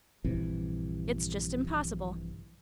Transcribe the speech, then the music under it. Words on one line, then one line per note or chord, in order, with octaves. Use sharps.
It's just impossible!
A#1 G2 C3 E3